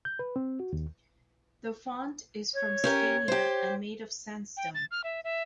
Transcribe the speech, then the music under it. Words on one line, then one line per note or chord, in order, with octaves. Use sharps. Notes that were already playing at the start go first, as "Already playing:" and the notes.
The font is from Scania and made of sandstone.
G6
B4
C4
F#4
D#2
C#5
C#4 G4 A#4
G4 C5
G5
A6
F6
E5
E5